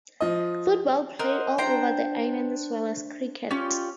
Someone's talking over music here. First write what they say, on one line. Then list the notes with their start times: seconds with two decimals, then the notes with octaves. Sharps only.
Football played all over the island as well as cricket.
0.21 F3 D#5
1.19 A#4 C5 D#5 F#5
1.58 D4 C5 G5 A#5
3.51 C#4 F4 G4 D5